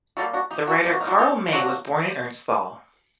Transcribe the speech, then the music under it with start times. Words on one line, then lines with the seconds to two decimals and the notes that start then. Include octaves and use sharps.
The writer Karl May was born in Ernstthal.
0.17 D3 G3 A#3 F#4 A4
0.33 D4 F#4
0.51 D#4 G4
0.67 D4 F#4
0.84 C3 G3 A#3 G4
0.92 F#4
1.00 D#4
1.07 D4 F#4
1.18 D#4 G4
1.52 C3 F#3 A#3 D4 F#4